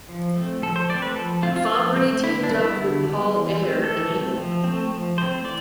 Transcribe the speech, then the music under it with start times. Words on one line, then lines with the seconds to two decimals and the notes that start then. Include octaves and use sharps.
Fabbri teamed up with Paul Ayer in April.
0.09 F3
0.36 A3 C4
0.62 F3 A4
0.76 C5
0.89 A3 D5
0.93 C4
1.02 B4
1.16 F3 A4
1.42 A3 C4 F4
1.56 F4
1.69 F3
1.96 A3 C4
2.23 D3 E4
2.44 D4
2.50 G3 B3 E4
2.77 D3
3.04 G3 B3
3.30 E3
3.57 A3 C4
3.83 E3 A4
4.10 A3 C4
4.37 F3
4.64 A3 C4
4.91 F3
5.18 A3 C4 C5
5.44 E3 D5